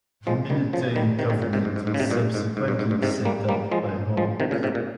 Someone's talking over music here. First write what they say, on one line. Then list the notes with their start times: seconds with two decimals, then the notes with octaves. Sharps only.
A military government was subsequently set up by Holmes.
0.27 F3 G#3
0.50 D#3 G3
0.73 C#3 F3
0.96 D#3 G3
1.19 C3 D#3
1.30 C3 D#3
1.42 A#2 C#3
1.53 G#2 C3
1.65 G#2
1.76 G#2
1.87 G#2
1.94 C#3
2.00 G#2 C3
2.11 G2 A#2
2.34 G#2
2.57 G#2
2.68 G2
2.79 G#2
2.91 G2
3.02 G#2 C3
3.25 G3 A#3
3.49 G3 A#3
3.72 F3 G#3
4.17 F3 G#3
4.40 C3 D#3
4.51 A#2 C#3
4.63 G#2 C3
4.75 A#2